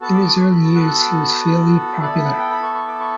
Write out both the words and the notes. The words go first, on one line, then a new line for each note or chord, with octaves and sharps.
In his early years he was fairly popular.
B3 F#4 A4 A5
D6
D6
C#6
B5
A5
F#5
B3 E4 A4 D5
E5
F#5
G5
B5
C#6
C#6
D6
C#6